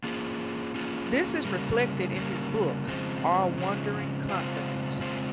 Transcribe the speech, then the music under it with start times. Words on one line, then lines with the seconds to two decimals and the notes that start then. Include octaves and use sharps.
This is reflected in his book "Our Wandering Continents".
0.04 A#3 C#4 F4 G#4
0.75 A#3 C#4 F4 G#4
1.45 C#3 G3 A#3
2.16 C#3 G3 A#3
2.88 C#3 F3 G#3 C4
3.58 C#3 F3 G#3 C4
4.29 C#3 G#3 C4 F4 C5
5.00 C#3 G#3 C4 F4 C5